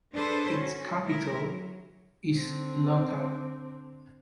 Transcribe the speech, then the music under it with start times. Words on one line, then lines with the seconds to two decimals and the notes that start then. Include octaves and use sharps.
Its capital is Luarca.
0.15 D4 G#4 A4 B4 C5
0.50 C#4 F#4
1.05 A3 E4 A#4
1.44 F#3
2.33 D3 C4